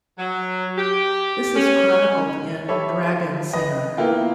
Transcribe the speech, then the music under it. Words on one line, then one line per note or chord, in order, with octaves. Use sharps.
This is chronicled in "Dragonsinger".
F#3
G4
C#4
G4 A4 C#5 E5 B5
B4 D#5
A#3 B3 E4 F4 G5